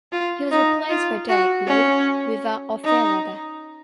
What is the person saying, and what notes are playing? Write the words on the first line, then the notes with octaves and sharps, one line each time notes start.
He was replaced by Derek "Blue" Weaver of Fair Weather.
F4
D#4
F4
F#4
C#4
D#4